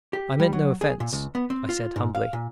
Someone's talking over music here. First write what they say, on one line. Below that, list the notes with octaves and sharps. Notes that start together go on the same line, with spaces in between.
"I meant no offence," I said humbly.
G4
G3
F#3
G#4
A#2
C#2
B3
C4
F4
G#2
F5
A#2